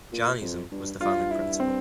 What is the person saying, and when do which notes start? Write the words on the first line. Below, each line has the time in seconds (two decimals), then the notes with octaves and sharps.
Jann Eason was the founding Principal.
0.12 A#2
0.41 F2
0.72 G2
1.00 G2 F4
1.31 E4
1.60 C4